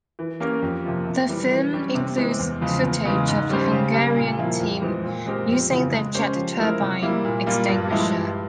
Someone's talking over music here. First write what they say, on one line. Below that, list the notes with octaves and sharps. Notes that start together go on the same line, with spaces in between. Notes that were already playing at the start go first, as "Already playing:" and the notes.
The film includes footage of the Hungarian team using their jet turbine extinguisher.
E3
A#3 C#4 G4 A#4
F2
C3 F3 A#3 F4
C3
E3 G3
E3
G3 C#4 G4
C3
E3 G#3 C4
E2
C#3 F3 G#3
E2
C#3 E3 G#3
G#2
G3 C#4 G4 C5
C#3
G3 A#3
A#2
F3 A#3 E4
F2
E3 G#3 C4
A#2
G#3 C4 G4 A#4
F2
C#3 E3
G#3
C#4 G4 C5
F3
G#3 C4 E4 A#4
C3
G3 A#3 E4
A#2
G3 A#3 F4
G2
F3 G#3 E4 G4
G2